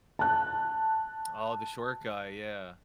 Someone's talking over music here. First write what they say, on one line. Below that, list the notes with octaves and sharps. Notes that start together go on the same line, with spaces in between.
Oh, the short guy, yeah.
A5 F#6